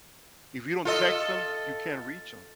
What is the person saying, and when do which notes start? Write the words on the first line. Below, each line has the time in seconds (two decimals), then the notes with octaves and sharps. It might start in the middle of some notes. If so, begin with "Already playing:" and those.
If you don't text them, you can't reach 'em.
0.85 F4 A4 D#5